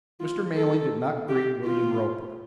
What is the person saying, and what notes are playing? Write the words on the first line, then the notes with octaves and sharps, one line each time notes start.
Mr. Manley did not greet William Roper.
F4
A4
G4
F4